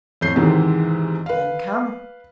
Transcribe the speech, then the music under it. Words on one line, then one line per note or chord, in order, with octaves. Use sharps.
"Then come."
F2 A2 G6 C7
E2 G#2 C3 D#3 E3 G#3
B4 F5